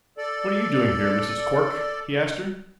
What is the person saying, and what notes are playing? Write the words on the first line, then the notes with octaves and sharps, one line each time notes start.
"What are you doing here, Mrs. Cork?" he asked her.
A4 D5